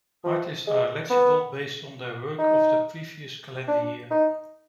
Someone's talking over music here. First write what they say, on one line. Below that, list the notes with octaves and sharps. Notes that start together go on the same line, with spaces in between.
Artists are eligible based on their work of the previous calendar year.
F3
G#3
B3
D#4
D4
D#4